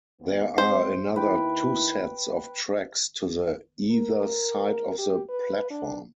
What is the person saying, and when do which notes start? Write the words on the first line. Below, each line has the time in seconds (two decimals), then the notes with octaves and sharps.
There are another two sets of tracks to the either side of the platform.
0.20 D#2 B3
0.58 G#3 C4 C5
1.16 D#2 E4 B4 G5
3.91 A#4
4.98 G4
5.29 B4
5.70 D4